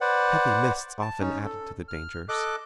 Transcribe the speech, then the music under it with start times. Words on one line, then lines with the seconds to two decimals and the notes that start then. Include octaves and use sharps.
Heavy mists often added to the dangers.
0.01 B4 C5 D5 F#5
1.02 A5
1.20 C#4 D#4
1.45 A4
1.88 F6
2.29 A4 D#5 D6 F#6